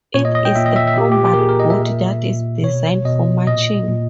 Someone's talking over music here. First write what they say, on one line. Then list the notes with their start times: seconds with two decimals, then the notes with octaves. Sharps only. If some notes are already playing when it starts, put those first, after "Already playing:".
It is a combat boot that is designed for marching.
0.14 A#2 C#5
0.25 D#5
0.35 D#5
0.45 G5
0.56 A#2 E5
0.66 D#5
0.76 E5
0.87 E5
0.97 A#2 G4
1.12 G4
1.25 G4
1.34 A#4
1.39 A#2 G#4
1.49 A#4
1.60 D#5
1.70 E5
1.80 A#2
2.22 A#2
2.63 B2 C#5
3.05 B2 D#5
3.47 A#2 D#5
3.88 A#2